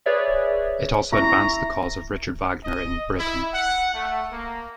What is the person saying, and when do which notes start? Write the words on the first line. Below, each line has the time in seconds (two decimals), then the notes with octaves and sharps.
It also advanced the cause of Richard Wagner in Britain.
0.06 G#4 B4 C#5 D5 E5
1.12 E4 A#5 C#6
2.64 D#5
3.19 E4
3.53 F#5
3.94 A3
4.31 A#3